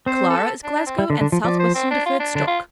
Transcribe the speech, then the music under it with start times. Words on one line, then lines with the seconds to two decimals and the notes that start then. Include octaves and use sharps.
Clara is Glasgow and South-Western Deferred Stock.
0.06 C4 C5
0.30 A4
0.64 D4
0.76 D4
0.86 C4
0.99 G3
1.10 D3
1.14 D4
1.21 D3
1.32 F3
1.44 F3 D5
1.60 C5
1.75 C4
1.90 D4
2.06 F4
2.20 D4
2.35 D3 D4
2.47 F4